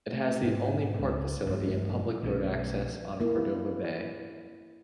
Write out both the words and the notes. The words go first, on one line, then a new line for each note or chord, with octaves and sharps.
It has the only port facility and public road access on Cordova Bay.
A3
G#2 B2
C#2
A1 G2 A3
B1 F3 A3 C#4
A#3 E4